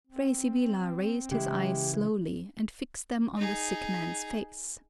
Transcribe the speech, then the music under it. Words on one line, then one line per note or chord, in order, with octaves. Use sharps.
Fray Sibyla raised his eyes slowly and fixed them on the sick man's face.
C4
C#3 E3 G#3 E4 G4
D#4 G#4